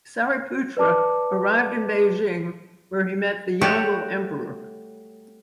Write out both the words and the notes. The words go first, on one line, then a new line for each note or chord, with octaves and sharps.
Sariputra arrived in Beijing where he met the Yongle Emperor.
B4 D5 A5 D6
G3 A3 F#4 G4 A4 C#5